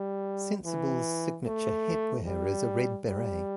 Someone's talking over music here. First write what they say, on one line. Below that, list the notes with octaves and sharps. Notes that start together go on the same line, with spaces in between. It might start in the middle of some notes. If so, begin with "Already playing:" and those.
Sensible's signature headwear is a red beret.
Already playing: G3
E3
A3
G3
G3